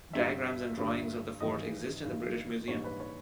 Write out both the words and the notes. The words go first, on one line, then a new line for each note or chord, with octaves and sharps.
Diagrams and drawings of the Fort exist in the British Museum.
G1 G2 G3 E5
G1 G2 G3
G#1 G#2 E3 G3 D#5
G#1 G#2 E3 G3
A#1 G#2 E3 G3 C#5
B4
C#5